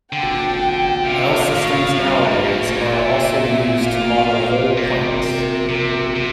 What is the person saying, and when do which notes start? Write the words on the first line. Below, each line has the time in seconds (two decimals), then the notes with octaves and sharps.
L-systems nowadays are also used to model whole plants.
0.12 D3 G5
1.05 C3 F5
1.52 A2
1.98 G2
2.21 G2
2.44 A2
2.67 A#2
2.90 E5
3.83 F5
4.76 C3 A#4
5.69 C3
6.15 C3